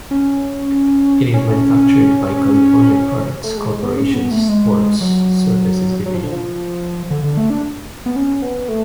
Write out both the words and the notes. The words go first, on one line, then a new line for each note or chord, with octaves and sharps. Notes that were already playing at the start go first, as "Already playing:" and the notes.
It is manufactured by California Products Corporation's Sports Surfaces division.
C#4
C#4
A3
G#3
G#3
B3
C#4
B3
A3
G#3
F#3
F#3
F3
D3
F3
D3
D3
A3
D4
B3
C#4
B3
A3